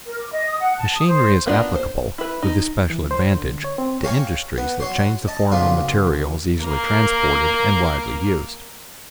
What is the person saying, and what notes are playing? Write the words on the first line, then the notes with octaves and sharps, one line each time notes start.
Machinery is applicable with especial advantage to industries that change the form of materials easily transported and widely used.
A#4
D6
D#5
D#6
F#5
A5
D#6
C5
A#3 B3 D4 F4
C5
E4 B4
D#4
E3
C5
D3
C#5
C4
C#5 F5 G5 G#5 A#5 C#6
B3
F#3 C#5 C6
D#5 A5
B1 A#2 C#3 F3 F4
A#3 A#4